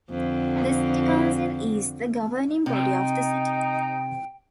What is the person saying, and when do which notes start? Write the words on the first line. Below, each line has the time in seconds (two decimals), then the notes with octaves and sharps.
The City Council is the governing body of the City.
0.10 F2 D3
2.66 C3 D#4 G5